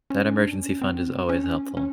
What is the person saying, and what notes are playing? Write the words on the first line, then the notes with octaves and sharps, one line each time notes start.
that emergency fund is always helpful.
C#4
D4
C#4
C4
C#4
C#4